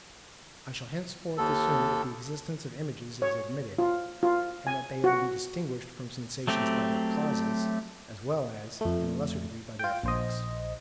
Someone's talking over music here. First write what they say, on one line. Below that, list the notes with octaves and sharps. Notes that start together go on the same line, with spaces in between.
I shall henceforth assume that the existence of images is admitted, and that they are to be distinguished from sensations by their causes, as well as, in a lesser degree, by their effects.
D#2 A4
C#5
F4
F4
G#5
F#4
F#3 A3 C4 G4
F2 A3
F4 G5
A#1 C5 D#5